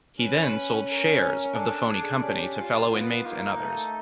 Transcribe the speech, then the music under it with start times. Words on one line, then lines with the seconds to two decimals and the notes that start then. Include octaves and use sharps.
He then sold "shares" of the phony company to fellow inmates and others.
0.20 C#4 B4
0.88 A#4
1.55 D4 A4
1.89 G#4
2.23 C#4 G4
2.58 F4
2.91 B3 F4
3.25 A#3 D#4
3.59 A3